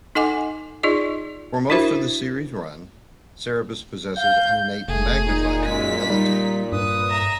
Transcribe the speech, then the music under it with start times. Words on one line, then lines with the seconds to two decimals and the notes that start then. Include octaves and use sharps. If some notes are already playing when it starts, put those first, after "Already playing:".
For most of the series' run, Cerebus possesses an innate "magnifier" ability.
0.15 D#4 A4 D#5 F#5 G#5 D6
0.83 D#4 F4 G#4 D5 D#5
1.70 D4 E4 F#4 A#4 C5 E5
4.17 F5 G6
4.88 F1 A3 G#4
5.27 A#2 D#4
5.66 F#2 G#3 B6
6.10 G3 D#4
6.72 G2 B4 D#6
7.08 E5 A#5